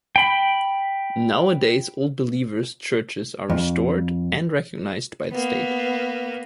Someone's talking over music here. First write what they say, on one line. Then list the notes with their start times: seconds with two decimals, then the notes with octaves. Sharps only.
Nowadays Old Believers' churches are restored and recognized by the State.
0.16 G5 B5
3.50 F2
5.31 A#3 B3